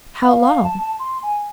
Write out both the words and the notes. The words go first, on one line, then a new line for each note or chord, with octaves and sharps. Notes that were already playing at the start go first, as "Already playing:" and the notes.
"How long?"
F5
A5
A5
C6
G#5